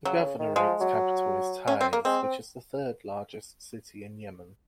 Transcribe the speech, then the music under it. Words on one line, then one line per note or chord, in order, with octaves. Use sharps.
The governorate's capital is Taiz, which is the third largest city in Yemen.
C#3 F#3
C#3
D#3
F3 G#3
F#3
C#4
C4
A#3
G#3 C4
C4